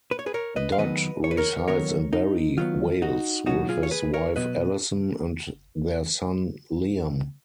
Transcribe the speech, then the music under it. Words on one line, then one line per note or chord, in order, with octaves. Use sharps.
Dodd resides in Barry, Wales with his wife Allison and their son Liam.
B4
C#5
G#4 B4
A#4 C#5
B4 D#5
F5
D#3 F#3 B3 B4 D#5
C#5
B4
A#4 C#5
D#3 F#3 B3 A#4 C#5
D#4
D#3 F#3 B3 F4
D#4 F#4
B2 F#3 B3 D#4 F#4
F4 G#4
C#5
G#4 B4
A#4 C#5
B2 F#3 B3 B4 D#5